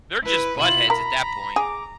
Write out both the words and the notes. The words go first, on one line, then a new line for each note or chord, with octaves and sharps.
they're just buttheads at that point.
E4 B4
B2 E4 F4 F#7
A#4 A#5 B5
G#4 D6